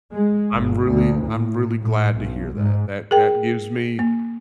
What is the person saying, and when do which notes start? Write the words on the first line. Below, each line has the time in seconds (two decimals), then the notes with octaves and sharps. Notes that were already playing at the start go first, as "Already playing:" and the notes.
I'm really I'm really glad to hear that. That that gives me
0.15 G#3
0.53 G1
0.87 D2
1.24 A2
1.83 A2
2.18 B1
2.56 G#2
3.11 G#4 A#4 G5
3.99 A#3